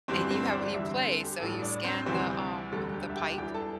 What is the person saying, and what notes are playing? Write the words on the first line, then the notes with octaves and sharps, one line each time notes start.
and you have you play, so you scan the, um, the pipe,
G1 G2 E3 G3 C4 C5
C4 C5
C5
D4 D5
E2 D3 G3 E4 E5
C4 C5
A4
G4
A1 A2 G3 A4
D4 D5
C4 C5
D2 C3 E3 G3 C4 C5
E1 D2 D3 G3 A4
G4
E5
G4 G5
E2 E3 G3 G4 G5
A4 A5